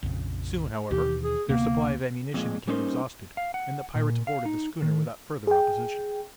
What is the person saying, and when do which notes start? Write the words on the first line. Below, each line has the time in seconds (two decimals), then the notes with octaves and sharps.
Soon, however, their supply of ammunition became exhausted, and the pirates boarded the schooner without further opposition.
0.03 A#1 F2 C#3
0.91 D#2 B2 E3 G4
1.24 G#4
1.49 D2 C3 A#3 B3
2.34 F2 A#2 G#3
2.67 G3 A#3 C#4 D#4 A#4 C5
3.37 F5
3.54 F#5
3.95 A#2
4.27 F5
4.45 D#4
4.82 D#3
5.47 G#4 G5